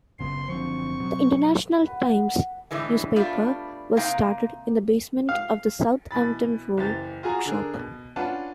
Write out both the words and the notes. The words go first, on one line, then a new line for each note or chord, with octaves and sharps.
The "International Times" newspaper was started in the basement of the Southampton Row bookshop.
F#1 C#3 B3 C6
F#1 D3 F3 C4 C#6
B2 F#3
B4 F#5
A2 D3 E3 G#3
G3 A3 B3 D4 F4
C3 A#3 D#4 F5 G5
F5
B2 E3 B5 A6
F#1 E3 G4 A6
F4 F#4 G#4 G#5 A#5
D3 D4 G#4 A#4
B2
C#4 D4 F4 B4 F#5 A5